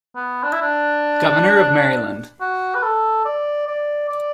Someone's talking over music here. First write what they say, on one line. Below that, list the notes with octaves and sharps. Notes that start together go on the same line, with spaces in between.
Governor of Maryland.
B3
D4
E4
D4
F#4
B4
A4
D5
D5
D5